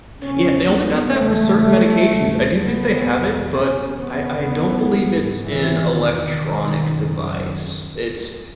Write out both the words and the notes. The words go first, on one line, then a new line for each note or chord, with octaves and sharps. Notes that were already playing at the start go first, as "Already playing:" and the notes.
Yeah, they only got that for certain medications. I do think they have it, but I I don't believe it's an electronic device. It's th
E2 C#3 C#4
B3
E2 C#3 A3
E2 C#3
B3
E2 B2
C#4
E2 C#3 B3
G#2
E3
E2 B2 D#3
D#3
F#2 C#3